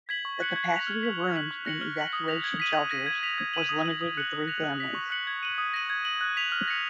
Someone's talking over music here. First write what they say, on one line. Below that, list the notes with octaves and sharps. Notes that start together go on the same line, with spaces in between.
The capacity of rooms in evacuation shelters was limited to three families.
G#6 B6 F#7
C#6
F#6 C#7 F#7
G#6
B6 F7
F6
B6 F#7
C#6
F#6 B6 F#7
C#6
F#6 A#6 C#7 F#7
F6
B6 F#7
D#6
A#6 F7
G#6
B6 D#7 F#7
D#6
A#6 D#7
G#6
B6 F7
G#6
D#7 F#7
D#6
A#6 D#7 F#7
D#6
F#6 C#7 F#7
D#6
A#6 F7
F#6
B6 F#7
C#6
F#6 C#7 F#7
G#6
D#7 F#7
D#6
A#6 D#7 F#7
G#6
D#7 F#7
F#6
B6 F7
F6
A#6 C#7